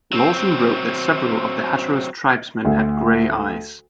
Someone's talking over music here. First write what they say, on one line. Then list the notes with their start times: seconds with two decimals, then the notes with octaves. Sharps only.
Lawson wrote that several of the Hatteras tribesmen had gray eyes.
0.13 F#3 C4
2.65 D2